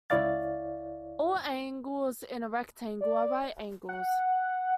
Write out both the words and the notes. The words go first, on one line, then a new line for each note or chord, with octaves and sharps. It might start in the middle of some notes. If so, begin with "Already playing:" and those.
All angles in a rectangle are right angles.
C#2 E4 C#5 D5 F5 A6
D5
F#5